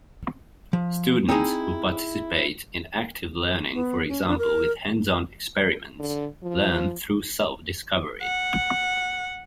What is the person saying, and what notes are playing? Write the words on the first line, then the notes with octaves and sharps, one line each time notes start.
Students who participate in active learning for example with hands-on experiments learn through self-discovery.
F3
C4 D#4 E4 G#4 G#5
B3
C#4
D4
A#4
D3
F3
F#5